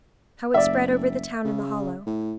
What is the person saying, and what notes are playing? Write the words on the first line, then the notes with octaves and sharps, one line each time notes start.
How it spread over the town in the hollow!
F#1 D5 E5
C#3
A2